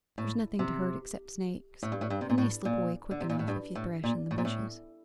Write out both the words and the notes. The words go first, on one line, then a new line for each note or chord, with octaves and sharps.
There's nothing to hurt except snakes--and they slip away quick enough if you thrash in the bushes.'
A2
C3
A2
G2
A2
G2
C3
A#2
A2
A#2
D3
C3
A#2
A2
G2
A2
A#2
A2
A#2
A2